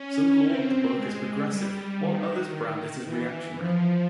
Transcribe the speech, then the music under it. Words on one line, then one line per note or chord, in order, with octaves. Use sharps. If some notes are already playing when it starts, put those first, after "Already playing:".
Some laud the book as progressive while others brand it as reactionary.
Already playing: C#4
C4
G#3
G3
D#3
E3
F3